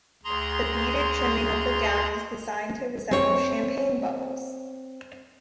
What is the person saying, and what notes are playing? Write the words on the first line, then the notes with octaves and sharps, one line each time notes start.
The beaded trimming of the gown was designed to resemble champagne bubbles.
D2 G#4 A#5 C6
C4 C#5